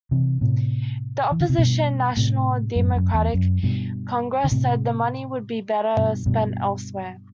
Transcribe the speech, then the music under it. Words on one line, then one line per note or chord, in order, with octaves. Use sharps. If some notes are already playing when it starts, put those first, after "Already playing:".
The opposition National Democratic Congress said the money would be better spent elsewhere.
C3 E3
A2 C3
E3
D3
C3
G2 B2
A2 C3
F#2 A2
F#2
E2
F#2
G2 B2
D3
A2 C3
G2 B2
G2 B2